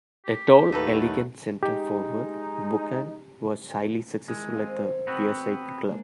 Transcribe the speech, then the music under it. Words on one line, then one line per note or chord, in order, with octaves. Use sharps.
A tall, elegant centre forward, Buchan was highly successful at the Wearside club.
G4
D#2 A2 F#3 A3 D#4 A4 B4
G#3 D#4 G4
D#3 G#3 E4
C4 F5 D#6
C#5
B3 C4 F#4
G#3 A#3 D4